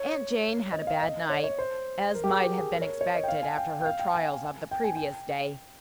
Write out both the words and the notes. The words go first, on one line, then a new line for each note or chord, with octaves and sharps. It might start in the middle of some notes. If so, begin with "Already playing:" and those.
Aunt Jane had a bad night, as might have been expected after her trials of the previous day.
Already playing: C#5
D#5
F5
D#5
C#5
C#5
C5
A#4
G4
G#4
G#4
A#4
C#5
C#5
D#5
G5
F5
G#5
G5
G5
F5
G5
G#5
G5
G#5
G5